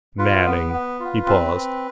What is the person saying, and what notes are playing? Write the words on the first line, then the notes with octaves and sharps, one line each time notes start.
"Manning." He paused.
F4 B4
B3
B3
F4
C4
C4